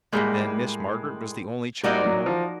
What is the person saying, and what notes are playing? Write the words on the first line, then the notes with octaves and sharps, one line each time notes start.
"Then Miss Margaret was the only child home?"
A2 E3 G3 G#3 A#3
G3 A#3 D#4 F#4 A#4 D5
F#3
F3